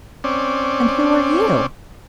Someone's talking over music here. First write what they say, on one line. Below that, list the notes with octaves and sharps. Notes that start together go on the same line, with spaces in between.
"And who are you?"
C4 C#4 D5